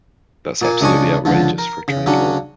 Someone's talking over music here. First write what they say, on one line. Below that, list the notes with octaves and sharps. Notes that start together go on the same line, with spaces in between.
That's absolutely outrageous for a trained lawyer.
A#2 A#3 G#5
C#2 C#3 D4 D#5 G#5 C#6
C#2 D3 F3
A#4
C#3
C#3 F#3 C#4 D4